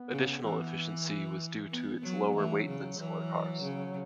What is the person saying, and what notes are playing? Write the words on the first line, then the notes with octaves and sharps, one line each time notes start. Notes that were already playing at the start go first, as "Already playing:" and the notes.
Additional efficiency was due to its lower weight than similar cars.
Already playing: B3
C#3
E3
B3
F#3
C#4
B3
E3 A3
F#3
C#3
F#3
E3 F#3
C#3